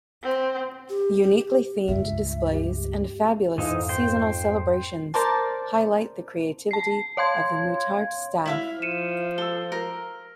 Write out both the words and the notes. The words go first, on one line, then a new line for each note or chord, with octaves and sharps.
Uniquely themed displays and fabulous seasonal celebrations highlight the creativity of the Muttart staff.
C4
G4
C#2 G2 E5
G4
F2 G#2 E3 D#4 F5
C5 G5
A#4 C5 D5 A5
A5 C7
C#5 F5 C6 G#6
E4 E5 F5
F3 C#7 D#7 E7
A4 E6 G7
A#4